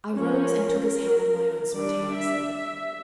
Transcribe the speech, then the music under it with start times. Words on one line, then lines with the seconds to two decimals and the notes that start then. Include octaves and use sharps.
I rose and took his hand in my own spontaneously.
0.14 F3 C#4 A#4
1.72 G3 D4 D5
2.12 E5
2.52 E5